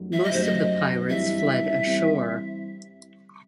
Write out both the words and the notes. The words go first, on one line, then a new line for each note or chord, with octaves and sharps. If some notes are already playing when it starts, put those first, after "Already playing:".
Most of the pirates fled ashore.
Already playing: F#2 F#3 A3 D#4 G4
E5
D#5
F#2 F#3 A3 D#4 G4 C5
D#5
G2 E3 G3 C4 E4 E5
G2 E3 G3 C4 E4